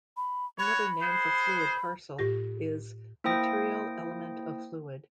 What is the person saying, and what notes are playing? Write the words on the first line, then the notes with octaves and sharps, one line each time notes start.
Another name for fluid parcel is material element of fluid.
B5
F#4 C#5 B5
F#4 G#4 C5
A2 F4 G4 A#6
A#3 E4 C5 G5 D#6 A#6